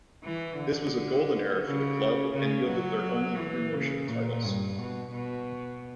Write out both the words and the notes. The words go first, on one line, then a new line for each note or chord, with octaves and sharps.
This was a golden era for the club and yielded their only premiership titles.
E3
D3
C#3
C#3
F#3
E3
C#3
A#2
G2
B2
B2